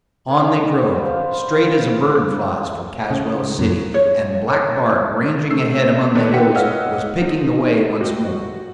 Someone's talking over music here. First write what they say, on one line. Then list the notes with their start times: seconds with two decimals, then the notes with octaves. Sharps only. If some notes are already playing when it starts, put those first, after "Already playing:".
On they drove, straight as a bird flies for Caswell City, and Black Bart, ranging ahead among the hills, was picking the way once more.
0.28 D#3 G3 C#4 F#5
0.45 D5
0.97 F4 B4 C5 F5
3.10 C#3
3.59 F#2
3.94 C#5
4.48 C#5
5.51 A3 E6 C7
6.15 D#3 A3 D4 B4 C#5 D5
6.34 B4 E5 F#5 G5 B6 C#7
6.55 C#5 D#5 F5 F#5 E6 F6
7.22 D#4
8.01 F#4 G4 D#5
8.25 F#4